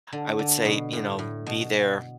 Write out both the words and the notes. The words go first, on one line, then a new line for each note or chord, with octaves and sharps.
I would say, you know, be there,
D3
D3
B2
A2
A2
B2